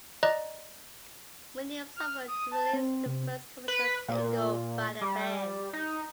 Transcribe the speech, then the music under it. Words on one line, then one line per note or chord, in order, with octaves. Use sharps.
Williams offered to release the first commercial single by the band.
D5 D#5 A#5 F#6
F6
D#6
A5
C4
C3
B4
A#2
G3
D#4